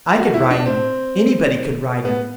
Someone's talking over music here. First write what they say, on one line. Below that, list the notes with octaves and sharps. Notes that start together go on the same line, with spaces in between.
I could ride him; anybody could ride him.
F#4
E4
D4
C4
B3